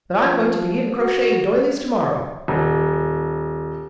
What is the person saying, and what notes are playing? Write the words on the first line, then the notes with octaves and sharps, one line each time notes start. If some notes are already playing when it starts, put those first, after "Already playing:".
But I'm going to begin crocheting doilies tomorrow.
F3
F#4
D#1